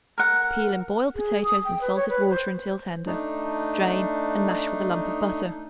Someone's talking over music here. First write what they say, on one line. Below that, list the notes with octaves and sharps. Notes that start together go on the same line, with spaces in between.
Peel and boil potatoes in salted water until tender; drain and mash with a lump of butter.
A#4 F#5
G#4
D#6
G5
B4
C#5
B4
C5
A3 D4 D#4